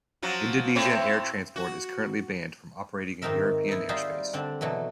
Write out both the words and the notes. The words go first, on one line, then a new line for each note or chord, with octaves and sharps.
Indonesia Air Transport is currently banned from operating in European airspace.
F3 F#3 F#4
A2 C4 C#5
F#4
G#2 D#3 C4 D#4 A#4 E5
D#4 E4
G3 D#4 F4 G#4 C5 E5
D3 C4 D4
B2 E3 F#3 A3